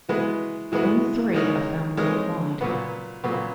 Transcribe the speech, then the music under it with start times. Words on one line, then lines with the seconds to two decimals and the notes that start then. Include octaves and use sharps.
All three are found worldwide.
0.08 E3 G#3 B3 F#4
0.72 E3 G#3 B3 F#4
1.34 G#3 D#4 A#4 C#5
1.97 G#3 D#4 A#4 C#5
2.61 A#2 F#3 B3
3.24 A#2 F#3 B3